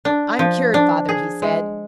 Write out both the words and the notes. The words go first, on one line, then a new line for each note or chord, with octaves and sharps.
"I'm cured, father," he said.
D4
F3
D4
G#4
G#3